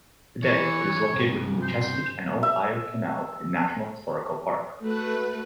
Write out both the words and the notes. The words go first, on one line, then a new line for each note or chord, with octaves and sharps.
Today, it is located within the Chesapeake and Ohio Canal National Historical Park.
E3 C#5
G2 C3
C5
E5
A3 F#4 B4